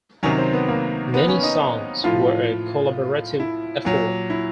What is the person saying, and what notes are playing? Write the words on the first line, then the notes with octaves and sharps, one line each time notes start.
Many songs were a collaborative effort.
C3 D#3 F#3 C#4
C4
B3
A#3
B3
C#4
D#4
A2 F3 F4
E4
A#2 F#3
E4